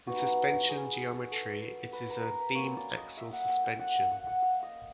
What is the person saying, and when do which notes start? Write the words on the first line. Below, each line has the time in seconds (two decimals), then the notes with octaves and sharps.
In suspension geometry it is a beam axle suspension.
0.07 G3 B3 D#4 F#4
0.69 G#4
1.32 A4
1.93 B4
2.10 A#4
2.25 A#4
2.40 B4
2.55 F#3 A#3 C#4 C#5
2.77 D5
2.97 D#5
3.17 E5
3.33 F#5
3.49 G5
3.64 G5
3.80 F#5
3.95 F5
4.11 F#5
4.27 F#5
4.42 F5
4.63 D#5